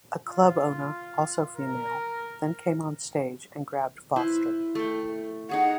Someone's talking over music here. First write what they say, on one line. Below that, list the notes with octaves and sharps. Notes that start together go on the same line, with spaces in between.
A club owner, also female, then came on stage and grabbed Foster.
F4
A#4
E4 B4 C5
A3 G5
D#4 G#4 C#5 F#5